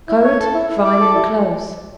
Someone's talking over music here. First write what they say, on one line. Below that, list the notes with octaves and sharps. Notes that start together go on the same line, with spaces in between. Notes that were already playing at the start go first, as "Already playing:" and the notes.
COAT--Fine and close.
E4
C#5
A4
E4
E4
D5
A4
E4